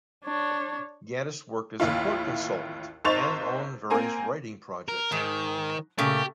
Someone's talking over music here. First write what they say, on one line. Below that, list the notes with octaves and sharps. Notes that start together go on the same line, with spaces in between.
Gaddis worked as a court consultant and on various writing projects.
D4 C#5
A1 D#2 E4 F4
G#1 D#4 C5 C#6 A6 F7
A#3 C4 G#5 A#5
A#4
G#2 D#3
A#2 C#3 A3 G4